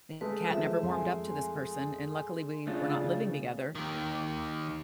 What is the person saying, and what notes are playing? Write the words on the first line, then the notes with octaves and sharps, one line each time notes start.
the cat never warmed up to this person, and luckily, we were not living together,
G#3 A3 B4
F3 E5
F2 G#5 C6
C#3 A3 D4 F4
D#2 D#3